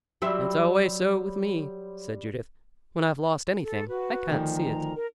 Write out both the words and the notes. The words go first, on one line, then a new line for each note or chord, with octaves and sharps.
"It's always so with me," said Judith, "when I've lost anything, I can't see it."
F#3 G3 G4 E5 C6
A4
F#4 B4
D2 D#3 F3
A#5
A#4